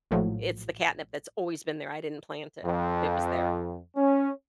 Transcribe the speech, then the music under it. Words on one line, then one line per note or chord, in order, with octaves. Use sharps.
it's the catnip that's always been there. I didn't plant it, it was there.
A#1 A2 F3 F#3
F2
C#4